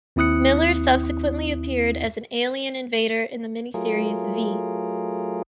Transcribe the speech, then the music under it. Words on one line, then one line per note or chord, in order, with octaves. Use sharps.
Miller subsequently appeared as an alien invader in the miniseries "V".
D#2 C4 E4 D#6 F#6 C#7
F#3 A3 F4 G#4 A#4